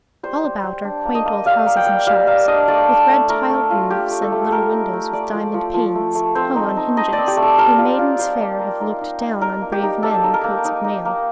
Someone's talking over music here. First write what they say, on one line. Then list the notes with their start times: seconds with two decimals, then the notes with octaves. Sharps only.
All about are quaint old houses and shops, with red-tiled roofs, and little windows, with diamond panes, hung on hinges, where maidens fair have looked down on brave men in coats of mail.
0.23 G3 C5
0.44 G3
0.63 G3
0.84 D4
1.05 A#3
1.15 D#5
1.25 A#3
1.46 G3 F5
1.66 A#3
1.77 G5
1.86 G3
2.07 G3 F5
2.27 A#3 F5
2.47 D4 D#5
2.68 A3 D5
2.89 D4
3.09 A3
3.29 A3 A#4
3.50 A3
3.70 F4
3.90 A3 G4
4.11 A3
4.22 A4
4.32 A3
4.51 A3 A#4
4.72 D#4
4.93 A3
5.13 A3 D5
5.34 F3
5.54 F3
5.74 F3
5.95 A3
6.15 A3
6.35 C4 C5
6.56 D#4
6.77 D#4
6.97 D#4 D#5
7.13 C4 D5
7.28 G4
7.37 A3
7.42 A4
7.58 G3 A#4
7.78 F4
7.99 F4
8.19 G3 C5
8.40 A#3
8.60 A#3
8.80 D#4
9.01 D#4
9.21 D#4
9.41 D#4 A#4
9.61 A#3
9.72 G4
9.83 D#4
10.03 A#3 A4
10.23 D#4
10.34 A#4
10.44 A#3
10.65 D#4
10.84 D#4
11.05 A#3